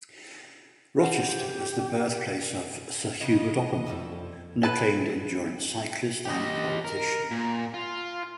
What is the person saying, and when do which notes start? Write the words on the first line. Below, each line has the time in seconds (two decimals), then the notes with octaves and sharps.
Rochester was the birthplace of Sir Hubert Opperman, an acclaimed endurance cyclist and politician.
0.99 G4 B4 E5 F#5
3.21 C#3 F3 B4 D#5
3.87 F2 G3 A4 E5
4.63 B4 A5
6.25 G4 D#5
6.85 A#4
7.31 A#2
7.74 F4